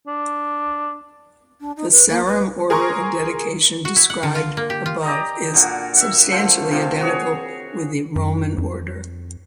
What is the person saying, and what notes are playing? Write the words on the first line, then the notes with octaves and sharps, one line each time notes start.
The Sarum order of dedication described above is substantially identical with the Roman order.
D4
D4
D#4
B4
A#3
B4
G#4 A#4 A#5 C6 C#6
F#4
E4
F#5
D3
F4
A#3
G4
F4
G4 D5 D#5 A#5
A#2 D3 F#4
E5 F#5
D3 A3 C5 F5
C3 F3 D6
F#4 G#4 C#5
F#2
F2